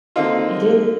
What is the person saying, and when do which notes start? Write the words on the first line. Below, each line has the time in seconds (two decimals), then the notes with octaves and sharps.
It is.
0.16 D3 A#3 C4 D#4 F4